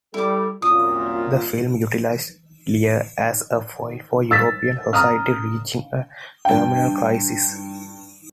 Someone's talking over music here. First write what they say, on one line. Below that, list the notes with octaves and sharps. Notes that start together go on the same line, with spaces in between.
The film utilized "Lear" as a foil for European society reaching a terminal crisis.
G3 E4 A4 D6
C2 F#2 A#2 F4 D#6
E6 A6 B6
A#5 D#6 F6
G2 G5